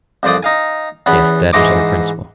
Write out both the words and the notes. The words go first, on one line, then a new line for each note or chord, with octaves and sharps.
Yes; that is our principle.
C2 F2 C5 D5 D#6
D#4 F5 G#5
E2 B3 C#4 B5
G#2 E3 C5 D#5 C#6 D6